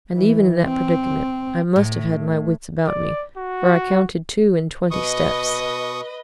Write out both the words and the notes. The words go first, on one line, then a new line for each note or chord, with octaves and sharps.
And even in that predicament I must have had my wits about me, for I counted two-and-twenty steps.
E3
C4
A2
D5
F#4
B2 B4 D#5 C#6 D#6